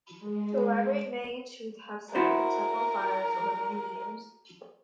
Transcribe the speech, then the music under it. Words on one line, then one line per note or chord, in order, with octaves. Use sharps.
The library may in truth have suffered several fires over many years.
G#3
E4 F#4 A#4 C5